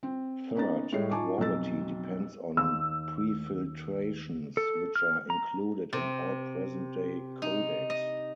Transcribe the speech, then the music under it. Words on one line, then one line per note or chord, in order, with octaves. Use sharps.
Third, quality depends on prefiltrations, which are included on all present-day codecs.
C4
A#3 B3 C#4 D#4 A#5 A6
A2 G3 G#3 C#5 C7
D#4 F4 G#5 A5 C#6 D6
B1 F2 F#3 E6 A6
D#2 E6
A4
F6
A#5
C3
D#4
D#5